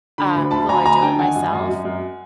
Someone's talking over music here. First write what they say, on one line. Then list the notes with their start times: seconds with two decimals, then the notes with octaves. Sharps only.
Uh, Will I do it myself?
0.18 D3 B5
0.34 D2 B5
0.51 D2 A5 B5
0.69 D2 G#5 A#5
0.86 D2 G#5 A#5
1.02 D3 G5 A5
1.19 D#3 F#5 G#5
1.36 F#2
1.53 F#2
1.69 F#2
1.85 F#2